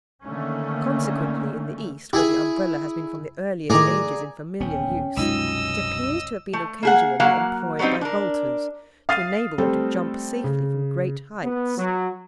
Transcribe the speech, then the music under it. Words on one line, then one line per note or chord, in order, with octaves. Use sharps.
Consequently, in the East, where the Umbrella has been from the earliest ages in familiar use, it appears to have been occasionally employed by vaulters, to enable them to jump safely from great heights.
D3 D#3 A3 A#3 C#4
E4 G4 G#4
A2 D#3 G#4 D5 F#5 A#5
D#1 D2 B3 C#4 G5
C2 F#2 B2 G#3 D#4 F4 D#5 E6
A3
A#3 G#4 F#5
F#3 A#3 F5 F#5
F#3 G3 B3 C4 D#4
D4 A#4
F5 D#6 F6 A6 C7 D#7
G3 A3 C4 A4
C#3
B3
F#3